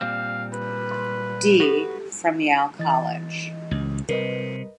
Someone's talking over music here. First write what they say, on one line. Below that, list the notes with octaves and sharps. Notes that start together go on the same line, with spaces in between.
D. from Yale College.
A#2 G3 C4 F5
B4
C6
F#4 G4 A4 B4
E3 D#5 A6
C#2
C3 G3 A#4 B4 D#5